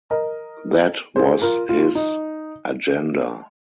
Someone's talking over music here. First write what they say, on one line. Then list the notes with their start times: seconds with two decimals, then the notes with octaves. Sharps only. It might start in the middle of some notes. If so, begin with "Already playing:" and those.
That was his agenda.
0.11 A#4 D#5
1.16 G#4 C5
1.42 F4 A#4
1.69 F4
1.95 D#4